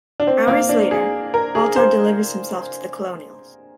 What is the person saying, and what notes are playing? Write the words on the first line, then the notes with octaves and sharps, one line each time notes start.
Hours later, Baltar delivers himself to the Colonials.
D4
C4
A#3
D4
G#4
A#4
G#4
C5